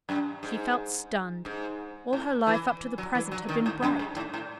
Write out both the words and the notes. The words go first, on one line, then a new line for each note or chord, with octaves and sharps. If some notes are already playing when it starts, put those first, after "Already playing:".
She felt stunned; all her life up to the present had been bright.
F#2
G#2
G#2
A2
E3
F#3
E3
F#3
D#3
A2
F#2
G#2
A2
A2